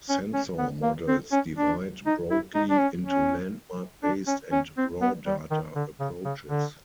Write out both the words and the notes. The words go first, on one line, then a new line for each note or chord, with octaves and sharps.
Sensor models divide broadly into landmark-based and raw-data approaches.
C#4
C#4
B3
A#3
C4
C#4
D4
D#4
E4
D#4
D4
C#4
C#4
D4
C#4
C#4
C4
B3
G3
D#3
D3
C#3
C#3
D3